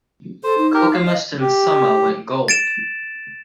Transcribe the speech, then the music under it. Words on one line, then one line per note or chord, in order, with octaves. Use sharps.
"Kokemusten Summa" went gold.
A4 C5
D#4
G4 A#4
F5
D#5
G4
A6 D7 E7